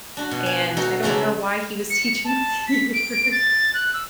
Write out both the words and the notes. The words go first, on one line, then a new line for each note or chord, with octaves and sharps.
and I don't know why he was teaching theater.
D4 F#4
B2
D5 G#5
D#4 F#4 A4
C#3 F3 A#3 E4 D5
C#7
A5
B6
D7
A6
F#6
E6